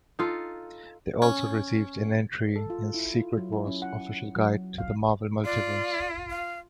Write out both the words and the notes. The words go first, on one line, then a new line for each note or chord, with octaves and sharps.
They also received an entry in "Secret Wars Official Guide to the Marvel Multiverse".
D#4 F4 A4
C#4
A4
F4
E4
F4
F#3
E4
C#4
F#5
F#3
F5
F4 D5
F5